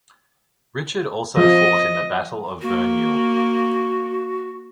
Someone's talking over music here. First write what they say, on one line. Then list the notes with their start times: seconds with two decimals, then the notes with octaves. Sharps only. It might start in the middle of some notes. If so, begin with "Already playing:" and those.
Richard also fought in the Battle of Verneuil.
1.37 F3 D#5
2.62 A#3 F#4